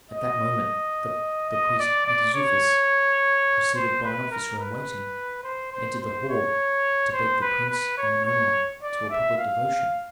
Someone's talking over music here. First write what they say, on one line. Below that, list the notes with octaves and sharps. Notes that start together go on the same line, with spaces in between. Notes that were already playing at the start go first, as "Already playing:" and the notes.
At that moment the priest Mentezufis, preceded by an officer in waiting, entered the hall to beg the prince and the nomarch to a public devotion.
D#5
D#5
D5
D5
C#5
C5
B4
A#4
B4
C5
C5
C5
C#5
C5
B4
B4
C#5
C#5
D5
E5
F5